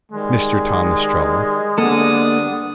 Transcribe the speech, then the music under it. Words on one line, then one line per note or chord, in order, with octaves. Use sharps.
"Mr. Tom Ostrello."
D#3 G3 G#3
D3 G3 A#3 B3 D4 A4 D#6